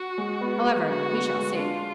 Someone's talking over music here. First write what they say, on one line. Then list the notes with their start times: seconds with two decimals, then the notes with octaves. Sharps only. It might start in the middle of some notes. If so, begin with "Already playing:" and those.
However, we shall see.'
Already playing: F#4
0.18 G#3
0.41 B3
0.64 B3
0.88 D3 F#4
1.12 B3
1.36 G#3
1.59 D4 F4